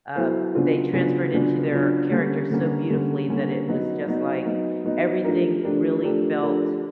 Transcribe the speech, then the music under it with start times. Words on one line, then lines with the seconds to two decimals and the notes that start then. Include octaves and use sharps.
uh, they transferred into their characters so beautifully that it was just like, everything really felt
0.15 F#3 B3 E4 A4 C5
0.55 C#3 F#3 B3 D4 F4
0.93 C#3 F#3 B3 D4 F4
1.33 C#3 F#3 B3 D4 F4
1.72 C#3 F#3 B3 D4 F4
2.11 D3 G3 A#3 C#4
2.50 D3 G3 A#3 C#4
2.90 D3 G3 A#3 C#4
3.28 D3 G3 A#3 C#4
3.68 F#3 B3 D#4
4.07 F#3 B3 D#4
4.46 F#3 B3 D#4
4.84 F#3 B3 D#4
5.24 F3 A3 D4 G4 A#4
5.63 F3 A3 D4 G4 A#4
6.01 F3 A3 D4 G4 A#4
6.41 F3 A3 D4 G4 A#4